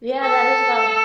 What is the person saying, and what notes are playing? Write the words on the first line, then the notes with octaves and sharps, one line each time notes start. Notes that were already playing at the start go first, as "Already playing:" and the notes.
Yeah, that is wild.
A4